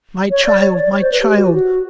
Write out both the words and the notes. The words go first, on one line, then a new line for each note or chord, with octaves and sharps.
'My child, my child!
C#5
D5
C#5
D5
C#5
C5
B4
G4
F#4
F#4